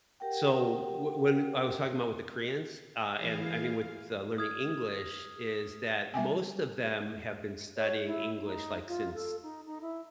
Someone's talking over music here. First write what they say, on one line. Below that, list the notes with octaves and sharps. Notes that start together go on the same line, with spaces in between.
so whe when I was talking about with the Koreans, uh, and I mean, with, uh, learning English, is that most of them have been studying English, like, since
G4 A#4 F#5 G5
E3 G#4 F5
D#6 F6 G#6
G3 E5 G5 G#5
C#5
E4
D#4
F4
A4
D#4
D#4
E4